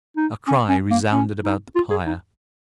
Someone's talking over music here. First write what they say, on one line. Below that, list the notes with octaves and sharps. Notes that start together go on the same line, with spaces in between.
A cry resounded about the pyre.
D#4
C#4
C#4
A#3
C#4
D#4
F4
G#4
D#4